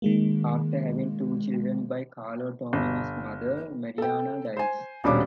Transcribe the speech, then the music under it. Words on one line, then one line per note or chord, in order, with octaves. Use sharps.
After having two children by Carlo, Tonio's mother, Marianna, dies.
D#3 G#3 A#3
G1
A4 G5
C5 G#5
D#1 B2 G3 C#4 D4 D6